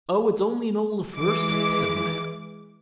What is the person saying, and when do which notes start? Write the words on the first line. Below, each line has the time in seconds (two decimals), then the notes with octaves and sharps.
'Oh, it's only an old fir-stump', said the man.
1.16 E3 G#3 D6